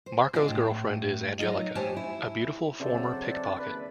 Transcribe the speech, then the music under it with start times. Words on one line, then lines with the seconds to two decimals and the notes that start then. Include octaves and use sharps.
Marco's girlfriend is Angelica, a beautiful former pickpocket.
0.06 C5
0.33 D4 D#4 F4 G#4
0.48 A2
1.39 F#3 D#4 F4 D#5
1.75 G#3 G4 C5 C#5 G#5 A5
1.96 E4
2.80 C#3 F#3 C4 D4 A4 C5 D5 E5
3.59 D#2 D4 B4